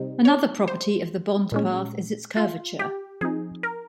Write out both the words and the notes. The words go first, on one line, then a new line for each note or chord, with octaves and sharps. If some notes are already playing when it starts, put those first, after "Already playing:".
Another property of the bond path is its curvature.
Already playing: C3 G3 C4 D#4
C#5
C5
A#2 G#3 C#4
F4
G4
F3 C4 D#4 G#4
A#4